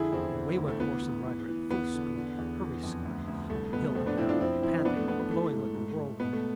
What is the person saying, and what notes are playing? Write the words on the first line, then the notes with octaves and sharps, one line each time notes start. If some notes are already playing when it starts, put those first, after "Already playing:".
And away went horse and rider at full speed,--hurry-scurry,--up hill and down,--panting and blowing like a whirlwind.
Already playing: F2 D3 E4 G#4
E2 C4 E4
D3
D2
A3
E3 B3
E3
E3
E3
E2 B3
D3
D3
E2
E3
F2
D2
D2
C2 A3
B2 B3
F2 A3 C4
B3 D4
E3 C4 E4
D4 F4
F2 C4 E4
F2 C4 E4
E3 B3 D4
A3
E3 B3
B3
E3 A3
G#2
G#2
G#2
B2 B3
A3